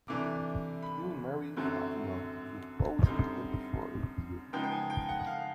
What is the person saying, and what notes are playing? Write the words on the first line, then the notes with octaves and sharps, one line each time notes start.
You'll marry Fatima, and you'll both be happy for a year.
C3 E3 A3 D4 D6
B5
F#2 D3 F#3 A3 C4
F#2 D3 G3 C4 D#4
C#3 F3 G#3 B3 D#4 G5
G5
G#5
G5
F#5
F#5
F5